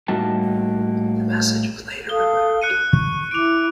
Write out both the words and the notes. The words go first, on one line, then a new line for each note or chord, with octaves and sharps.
The message was later removed.
A2 G3 A#3 D#4 F#4 A5
A4 F5 D#6 G7
F#6 C#7 D#7
C#6
E4 D6 D7 F7